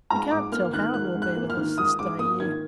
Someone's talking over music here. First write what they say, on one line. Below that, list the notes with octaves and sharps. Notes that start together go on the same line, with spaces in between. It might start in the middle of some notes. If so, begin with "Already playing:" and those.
We can't tell how it will be with us this day year.'
G#2 A#5
G#2 D6
A#3 F6
D#3 F#6
G#2 F#6
G#2
F#6
A#3
F6
D#3
G#2 D#6
G#2 D6
A#3 D#6
D#3 G#6